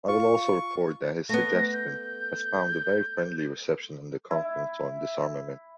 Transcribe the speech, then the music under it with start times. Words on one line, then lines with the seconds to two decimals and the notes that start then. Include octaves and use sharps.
I will also report that his suggestion has found a very friendly reception in the Conference on Disarmament.
0.08 F4 C#6
1.29 A3 B3 A#6
1.73 G6
4.31 E4